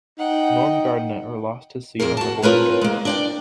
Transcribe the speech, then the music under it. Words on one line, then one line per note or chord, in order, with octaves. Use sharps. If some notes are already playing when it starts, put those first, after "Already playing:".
Norm Gardner lost his seat on the Board of Control.
D#4 F#5 G5
F2 G3 G#4 A#4
F#4 A5
C4 F4 A#4 B4 C#5
G#3 A#3
D4 D5 G5